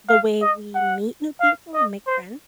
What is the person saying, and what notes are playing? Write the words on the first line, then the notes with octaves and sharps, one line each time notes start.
the way we meet new people and make friends?
F5
D#5
F#5
F5
D#5
C5